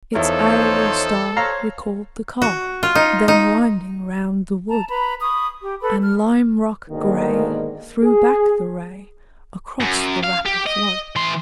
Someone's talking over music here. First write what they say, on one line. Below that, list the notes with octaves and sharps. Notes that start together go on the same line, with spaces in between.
Its arrowy star recalled the car Then winding round the wood, And lime-rock gray threw back the ray Across the rapid flood.
E2 F3 D#4 A4 C5 C#5
C5 C#5 F5 A#5
F#4
F4
D#4
D#4
A5 A#5
B4 A#5 B5
B5 C#6 D#6
G4
A4 B4 B5
F6
G#2 B2 D3 D#3 G#3 A#3
G#4
F#2
F5
G4
D#5
E3 C6